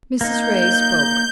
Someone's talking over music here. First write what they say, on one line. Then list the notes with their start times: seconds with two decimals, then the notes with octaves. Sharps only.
Mrs. Ray spoke.
0.21 A#3 D#4 G6